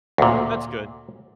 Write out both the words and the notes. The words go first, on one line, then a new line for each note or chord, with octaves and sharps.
That's good.
D2 A#2